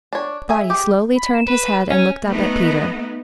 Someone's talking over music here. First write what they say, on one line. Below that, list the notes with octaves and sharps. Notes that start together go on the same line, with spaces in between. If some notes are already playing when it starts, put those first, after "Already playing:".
Spotty slowly turned his head and looked up at Peter.
D4 C#5
G#4 E5 G#5
G4 G#4
B5
E7
B4
C#4 G#5
A3 B3 D#4